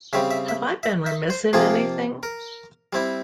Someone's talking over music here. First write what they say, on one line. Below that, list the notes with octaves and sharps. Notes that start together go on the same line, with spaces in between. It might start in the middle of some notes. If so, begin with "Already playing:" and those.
Have I been remiss in anything?
C#3 G3 C4 E5
E5
E5
E5
E5
C5
C3 F3 A#3 F4 G#4
A#4
G3 C4 E4